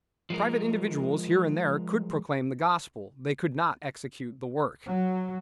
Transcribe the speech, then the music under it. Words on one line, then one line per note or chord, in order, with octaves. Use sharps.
Private individuals here and there could proclaim the gospel; they could not execute the work.
F3 G#3 A#4
F#3